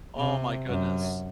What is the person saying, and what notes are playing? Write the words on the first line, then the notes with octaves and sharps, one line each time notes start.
oh my goodness.
C3
F#2